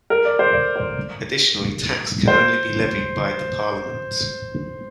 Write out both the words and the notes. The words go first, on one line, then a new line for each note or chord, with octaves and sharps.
Additionally, tax can only be levied by the Parliament.
A#4
D5
C5
D5
C5
C5